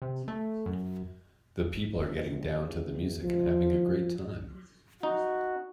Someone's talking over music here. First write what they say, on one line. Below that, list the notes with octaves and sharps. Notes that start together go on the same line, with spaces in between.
The people are getting down to the music and having a great time.
C3
A3
F#2
A#1
E2
F3
D#4 F#4